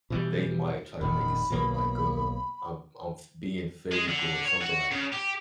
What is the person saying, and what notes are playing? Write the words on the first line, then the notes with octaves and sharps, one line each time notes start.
they might try to make it seem like, uh, I'm I'm f being fake or something, like
B2 E3 G3
F1 A#2 D#3 B5
B1 B2 A#3
G#3
D3
C#5
F#4
C#3
G4